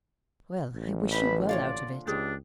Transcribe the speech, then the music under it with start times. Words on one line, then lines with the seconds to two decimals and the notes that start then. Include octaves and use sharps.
'Well, I wish you well out of it.'
0.72 A1
1.12 D#4 B4 E5 B5
1.49 A#2 D3 F3 C#5 D5 F5
2.07 C#2 D4 G4 G#4